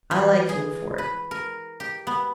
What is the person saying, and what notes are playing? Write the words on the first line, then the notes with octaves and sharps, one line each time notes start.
I like him for it.'
E3
G#4
B4
A#4
G4
B3